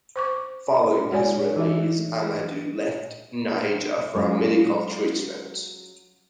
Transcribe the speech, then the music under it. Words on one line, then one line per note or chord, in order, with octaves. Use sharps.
Following his release, Amadou left Niger for medical treatment.
C5 C#6 D6
G#3 F#4 C#5 D5 G#5
E3 D#4 F#4 E5
F#3 G#3 C#4 F4